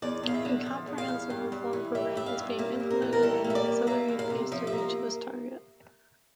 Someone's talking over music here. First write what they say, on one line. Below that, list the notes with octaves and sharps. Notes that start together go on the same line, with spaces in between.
A comprehensive reform program is being implemented at an accelerated pace to reach this target.
E2 D5
E2 F5
E5
D3
F3
E2
F5
E2
G2
G2
E3
G3 E5
G2 E5
F5
G2
A#3 E5
G2
A#4
E3
A#4
G3 A4
A#3
E5
D5
G2
A#3 E5
E2
F5
C3
F3 E5
E5
A#3
A#4